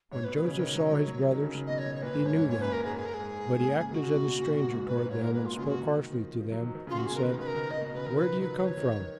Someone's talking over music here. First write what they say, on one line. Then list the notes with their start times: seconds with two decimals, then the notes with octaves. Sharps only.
When Joseph saw his brothers, he knew them; but he acted as a stranger toward them and spoke harshly to them and said, "Where do you come from?"
0.11 G#2 C#5
0.24 B4
0.28 B2
0.36 B4
0.44 C#3
0.47 C#5
0.59 D#3
0.75 F#3
0.91 F#3
1.07 F#3
1.18 F#3
1.31 D#3
1.43 C#3
1.55 C#3
1.66 B2 D#5
1.78 C#5
1.86 B2
1.95 C#5
2.02 A#2 B4
2.14 G#2
2.25 F#2 C#5
2.37 G#2
2.49 A#2 C#5
2.61 F#2 B4
2.72 G#2 A#4
2.84 G#2 G#4
2.96 G#4
3.05 A#4
3.14 G#4
3.20 G#2
3.60 A#2
3.76 C#3
3.91 D#3 F#4
4.04 C#3
4.15 B2
4.27 B2
4.39 A#2
4.50 G#2
4.62 G#2
4.74 G#2
4.86 A#2 B4
4.98 G#2
5.10 G#2 C#5
5.21 A#2 A#4
5.33 B2 B4
5.45 F4
5.57 C#3 F4
5.63 G#4
5.69 F#4
5.81 D#3
5.97 D#3
6.12 F3
6.40 F3
6.52 F#3
6.63 D#3
6.75 D#3
6.87 C#3 F4
6.98 C#3 F#4
7.06 G#4
7.11 B2
7.14 A#4
7.23 D#3 B4
7.39 C#3 B4
7.47 A#4
7.55 D#3
7.70 C#3 D#5
7.82 B2
7.94 C#3 B4
8.06 D#3 A#4
8.17 F3 B4
8.41 F#3 B4
8.65 F3 C#5
8.77 D#3
8.89 D#3
9.00 D#3